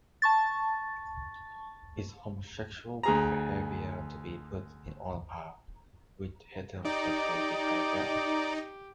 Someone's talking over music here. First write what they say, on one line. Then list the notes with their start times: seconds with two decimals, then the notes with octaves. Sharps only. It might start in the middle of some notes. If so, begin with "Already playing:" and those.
Is homosexual behaviour to be put on a par with heterosexual behaviour?
0.22 A5 C#6 A6
3.03 D2 G#4 A#5
6.85 D#4 G4 D5